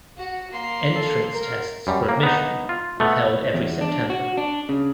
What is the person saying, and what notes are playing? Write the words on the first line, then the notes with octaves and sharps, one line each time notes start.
Entrance tests for admission are held every September.
F#4 F#5
A#3 C6
A4
A#4
F#2 G3
A#3
B3 D#4
F4
A3 B3
E2
D4
F#4
D4
C#3